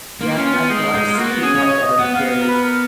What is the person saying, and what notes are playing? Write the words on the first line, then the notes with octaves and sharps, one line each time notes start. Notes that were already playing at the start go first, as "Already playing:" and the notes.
Yeah, f I feel, like, s people like that are very
A#3 F4
C#4 F4
B3 F4
G#3 D#4
G#3 D#4
F4
A#3 F#4
B3
C#4 G#4
C#4
D#5
C#5
D#5
B3 F#5
B3 F5
A#4
B4
A#4